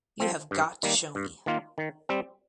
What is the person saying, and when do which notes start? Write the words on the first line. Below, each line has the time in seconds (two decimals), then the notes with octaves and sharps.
You have got to show me.
0.20 F3 C4
0.51 G2
0.83 D#3 G3 A#3
1.15 G2
1.46 D#3 A#3 F4
1.78 D#3
2.09 G3 C4